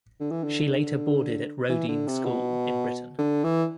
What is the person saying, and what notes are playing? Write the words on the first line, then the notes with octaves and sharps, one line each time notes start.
She later boarded at Roedean School in Britain.
D3
E3
D3
E3
D3
C3
B2
D3
E3